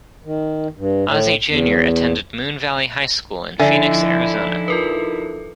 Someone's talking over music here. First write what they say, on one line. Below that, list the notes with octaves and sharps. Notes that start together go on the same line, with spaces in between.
Ozzie Junior attended Moon Valley High School in Phoenix, Arizona.
D#3
G2
A2
E2
D3 F3 D#4 E4 D5 E5 G#5
F4 A#4 B4